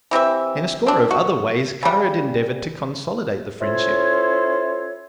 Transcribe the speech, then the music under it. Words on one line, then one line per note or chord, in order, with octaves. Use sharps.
In a score of other ways Kara had endeavoured to consolidate the friendship.
E3 C4 G4 E5
C4 D4
F#4
C#3 G3
C#4 E4 F4 A4 C5 C#5